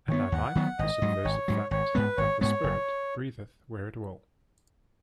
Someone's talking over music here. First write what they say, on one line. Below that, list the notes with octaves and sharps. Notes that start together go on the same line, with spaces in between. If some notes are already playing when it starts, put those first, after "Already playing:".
And I like the subversive fact that the spirit breatheth where it will.
D#3 F#3 B3 C#5
D#2 F#5
D#3 F#3 B3
G#1 D#5
G#2 F#3
G#1 C#5
G#2 F#3
G#1 C#5
G#2 G#3 B3 B4
G#1 C#5
G#2 G#3 B3 C#5
F#1